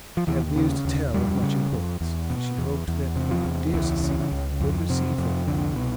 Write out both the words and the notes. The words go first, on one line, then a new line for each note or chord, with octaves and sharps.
She had news to tell of much importance, and she hoped that her "dear Cecilia" would receive her.
F3
D#2 E3
C#3
D#2
F2 G3
C#3
F2
E2
B2
E2
E2
C3
F3
E2
C#2 E3
C#3
C#2
F2
C3
F2
C2 D3
B2